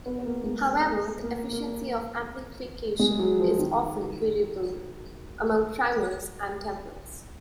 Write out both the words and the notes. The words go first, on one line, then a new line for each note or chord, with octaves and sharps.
However, the efficiency of amplification is often variable among primers and templates.
B3
B3
A#3
G#3
A#3
A#3
G#3
F#3
F3
D#3